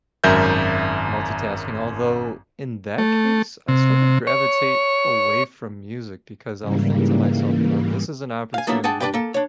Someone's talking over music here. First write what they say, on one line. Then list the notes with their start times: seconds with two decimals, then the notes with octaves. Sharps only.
multitasking, although, in that case, I sort of gravitate away from music, because I'll think to myself, you know, this is an opportunity
0.24 G#1 F#2 A#4 E5 G6
2.98 A3
3.68 C3
4.27 C#5
6.61 G#2 C#3 E3 G3 A#3
8.54 F5 G#5
8.67 F3 F#3 A#3 B3 D4 E4
8.84 D4 G#4 F#5 G5 A5
9.00 D4 G4 B4 D5 G5
9.13 A#3 A4
9.34 D4 C#5